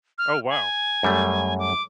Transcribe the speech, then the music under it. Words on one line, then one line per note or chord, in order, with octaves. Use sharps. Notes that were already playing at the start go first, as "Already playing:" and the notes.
Oh, wow.
F6
G#5
F#2 G3 A3
D6